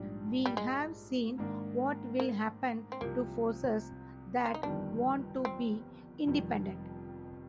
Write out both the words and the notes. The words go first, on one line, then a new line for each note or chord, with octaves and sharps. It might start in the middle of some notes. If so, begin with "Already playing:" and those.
We have seen what will happen to forces that want to be independent.
Already playing: A#1 G#2 G3 D4
G3
G#3
G#2 D#3 A#3 D4
A#3
C4
C2 C3 F3 A#3
F4
D#4
G1 F2 D#3 G3 D4
C4
F1 F2 D#3 G3